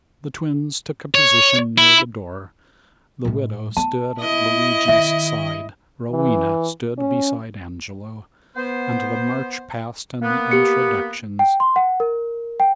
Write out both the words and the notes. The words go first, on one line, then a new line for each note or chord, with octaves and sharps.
The twins took a position near the door, the widow stood at Luigi's side, Rowena stood beside Angelo, and the march-past and the introductions began.
C#5
E4
A2 G#3
B3 A5
E4 D#5
D#3 E5
E3
C#4
B3 C5
A#3 B3
G4 C#7
G5
C6
F#5
A#4
G5